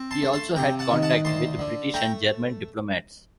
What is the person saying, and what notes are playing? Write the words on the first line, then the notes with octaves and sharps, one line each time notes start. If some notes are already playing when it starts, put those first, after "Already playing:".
He also had contact with British and German diplomats.
Already playing: C4
A5 C6
A3
A5 C6
C3 G5 A#5
F#5 A5
D#3
F#5 A5
D2 A5 C6
D3
A3 G5 A#5